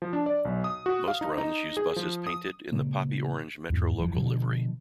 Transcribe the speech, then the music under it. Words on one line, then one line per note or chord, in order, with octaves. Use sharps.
Most runs use buses painted in the poppy-orange Metro Local livery.
F3
D4
D5
B1
D#6
F#4
F5
D#4
D#4
G#4
F3
D#6
A#2 C#3 G#3 A#3
E2 G#2
D#1 F2 E3 F3
B2 D3 F3